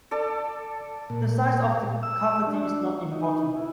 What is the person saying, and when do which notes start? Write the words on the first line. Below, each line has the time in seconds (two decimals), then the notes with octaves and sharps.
The size of the cavity is not important.
0.11 A4 D5 A5
1.10 A#2
2.03 E6
2.47 D4
3.12 D#4
3.56 E4